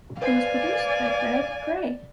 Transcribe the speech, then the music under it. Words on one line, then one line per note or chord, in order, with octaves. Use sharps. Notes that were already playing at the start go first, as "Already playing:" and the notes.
It was produced by Gregg Gray.
B4 C5 D5 F5 G#5 C7